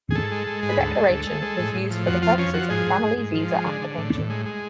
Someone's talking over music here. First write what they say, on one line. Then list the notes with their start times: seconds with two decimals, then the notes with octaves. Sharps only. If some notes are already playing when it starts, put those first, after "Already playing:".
The Declaration was used for the purposes of family visa application.
0.11 G#4
0.15 G#2 A4
0.32 G#3
0.47 G#3
0.62 G#2
0.69 B4
0.78 D2 A4
0.95 G#3
1.10 D2
1.27 G#3
1.42 G#3
1.59 A2
1.75 A2
1.90 F3
2.06 F2 F#4
2.22 F3 F4
2.38 F3 C#4
2.54 F3 F#4
2.70 G#2 G#4
2.86 G#2
3.03 G#2
3.17 G#2
3.34 F3
3.51 G#3
3.66 D3
3.82 D3
3.98 A2
4.14 A2
4.30 G#3
4.46 G#3